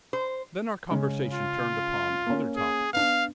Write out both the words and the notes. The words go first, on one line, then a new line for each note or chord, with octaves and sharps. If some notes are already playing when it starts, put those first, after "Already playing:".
Then our conversation turned upon other topics.
C5
C#3 G#3 C#4
F4
A#3 C#4
G#4
B3 D4 F5